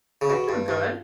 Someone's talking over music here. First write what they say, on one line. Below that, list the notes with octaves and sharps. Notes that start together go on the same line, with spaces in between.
I'm doing good.
C#3
B2
G2
G2